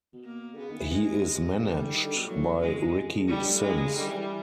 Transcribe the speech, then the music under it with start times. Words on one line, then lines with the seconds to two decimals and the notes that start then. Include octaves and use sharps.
He is managed by Ricky Simms.
0.13 B2
0.24 A#3
0.54 D3
0.57 C#3 B3
0.70 D#3
0.80 E3
0.92 E3 G#3
1.03 C3
1.14 C3
1.59 D3 G3
1.70 E3
1.83 D3
1.93 D#3
2.04 D3
2.16 B2
2.26 A2 F#3
2.34 A#2
2.37 A2
2.59 F#2 G#3
2.71 F2
2.82 F#2
2.94 G2
3.04 F2
3.16 E2
3.27 F2 G3
3.39 G2
3.50 A2
3.61 C#3 G#3
3.72 D#3
3.83 C#3
3.95 D3 G3
4.06 E3
4.17 E3